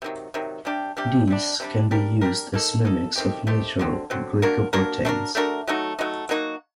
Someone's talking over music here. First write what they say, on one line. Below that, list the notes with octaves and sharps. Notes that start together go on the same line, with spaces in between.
These can be used as mimics of natural glycoproteins.
C3 D#3 F#3
C3 D#3 F#3
C3 G3 D4 G4
C3 G3 D4 G4
C3 G3 D4
C3 G3 D4
G3 D4 G4 A#4
G3 D4 G4 A#4
A#3 D#4 A4
A#3 D#4 A4
D#3 A3 C4 G4
D#3 A3 C4 G4
D3 F#3 C4
D3 F#3 C4
A#3 D4 F#4 A#4
A#3 D4 F#4 A#4
A3 D4 F#4 A#4
A3 D4 F#4 A#4
F#3 A3 D#4 F#4
F#3 A3 D#4 F#4
F#3 A#3 D#4 F#4